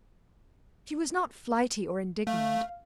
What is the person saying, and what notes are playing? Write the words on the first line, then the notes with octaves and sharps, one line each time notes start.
She was not flighty or indignant.
A3 F5